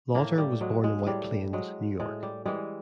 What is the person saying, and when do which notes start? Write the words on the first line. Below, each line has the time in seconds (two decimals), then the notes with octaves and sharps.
Lauter was born in White Plains, New York.
0.15 A2 A#3
0.38 G3
0.61 F#3 G#3
0.84 G#3
1.07 A2 G3
1.53 F#3 G#3
2.00 A2 G#3
2.23 G3
2.46 E3 G3 G#3